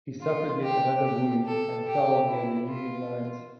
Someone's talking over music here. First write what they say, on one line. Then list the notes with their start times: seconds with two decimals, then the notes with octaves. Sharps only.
He suffered yet another wound, and fell near the Union lines.
0.21 F4
0.63 G4
1.04 G4
1.45 A4
1.87 G4
2.28 E4
2.69 F4